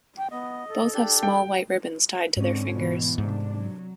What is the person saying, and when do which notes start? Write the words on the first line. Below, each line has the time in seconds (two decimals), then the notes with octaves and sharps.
Both have small white ribbons tied to their fingers.
0.17 G5
0.31 B3 D#5
0.68 A4
0.94 D4 G4
1.23 G5
2.37 G#2 D3 C4 C#4
2.71 B2 E3
3.18 G#2 C3 A3 D4
3.54 F#3